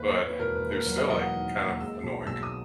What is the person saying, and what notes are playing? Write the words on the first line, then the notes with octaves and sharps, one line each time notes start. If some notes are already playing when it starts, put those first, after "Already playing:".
but it was still, like, kind of annoying.
Already playing: D#2 B4
C#5
D#2
B4
E1 A#4
B4
D#2
A#4
F#3 B4
D#5
E1 D#5
F#5
D#3
D#2
G#3 E6
B1
B1 E6
D#6